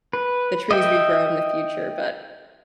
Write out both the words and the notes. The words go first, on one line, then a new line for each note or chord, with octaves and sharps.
the trees regrow in the future, but
B4
D#5 E5 G5